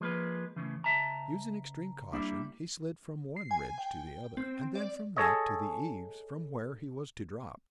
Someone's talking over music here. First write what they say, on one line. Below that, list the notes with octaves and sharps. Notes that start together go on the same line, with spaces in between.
Using extreme caution, he slid from one ridge to the other, and then from that to the eaves, from where he was to drop.
F3 G#3 A#3 B4
A2 C#3 E3
C#2 E5 A5 A#5
G3 A#3 D4 E4
C7
G#5
G5
C4
D5
G#4 A4 C#5 D#5